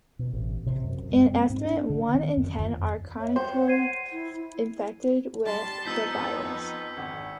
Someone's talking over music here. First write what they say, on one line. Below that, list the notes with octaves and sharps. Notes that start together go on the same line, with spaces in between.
An estimated one in ten are chronically infected with the virus.
B2
A1
C3
F#2
G#3
C4
G#2
D4
D3
D#3
F#2
F2
C#5 E5
C5 F#5 G5 C6
G#6 C7 D#7
E4
G3 A5 C6
F3 B3 D#4 E6 G6 B6
F2
G#1 F#5